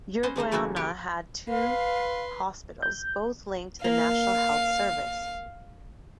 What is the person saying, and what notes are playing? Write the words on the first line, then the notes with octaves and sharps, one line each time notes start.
Uruguaiana had two hospitals, both linked to the national health service.
B3 C#4 C5 D#5
G#3 A3 D#4 C5
C#3 E3 F#3 A3 A#3 F#4
G4 B4 C#5
B4 F5 C6
G6
A#3 F5